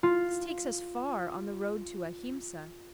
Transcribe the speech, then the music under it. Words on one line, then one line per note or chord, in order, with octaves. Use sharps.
This takes us far on the road to Ahimsa.
F4